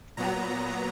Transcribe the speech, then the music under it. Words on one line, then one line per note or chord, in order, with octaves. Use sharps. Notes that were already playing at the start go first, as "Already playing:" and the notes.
I mean,
A#2 F#3 B3 A#5